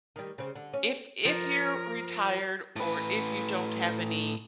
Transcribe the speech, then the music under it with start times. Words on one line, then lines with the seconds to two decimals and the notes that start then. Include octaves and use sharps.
If if you're retired or if you don't have any
0.16 D#3 G3
0.38 C#3 C4
0.55 D3
0.73 C#4
1.25 F3 A#4
2.76 A2 B4